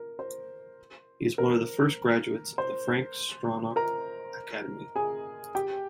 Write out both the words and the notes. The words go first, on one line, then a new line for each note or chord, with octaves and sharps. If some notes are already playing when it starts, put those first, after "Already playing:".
He is one of the first graduates of the Frank Stronach Academy.
Already playing: A#4
C5
A#4
C5
A#4 A#5
G#4 G#5
G4 G5